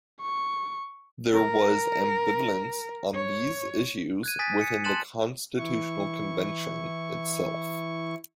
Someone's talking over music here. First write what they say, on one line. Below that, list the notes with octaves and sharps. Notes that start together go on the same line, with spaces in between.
There was ambivalence on these issues within the constitutional convention itself.
C#6
A#4
C#5
F#6 G#6 D#7
G#5 D#6 A6 B6
C#7
A5 C6 F#6 A6 E7 F#7
E3 E4 C#6